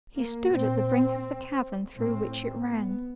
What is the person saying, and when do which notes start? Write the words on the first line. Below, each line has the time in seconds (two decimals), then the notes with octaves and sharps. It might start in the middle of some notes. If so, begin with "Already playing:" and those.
He stood at the brink of the chasm through which it ran.
0.16 A#3
0.52 A#2 C4
1.96 A2 C4
2.68 B3